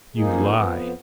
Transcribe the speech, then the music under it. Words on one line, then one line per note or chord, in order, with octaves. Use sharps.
"You lie!"
F2 F3 A#3 D#4 G#4
F2 F3 B3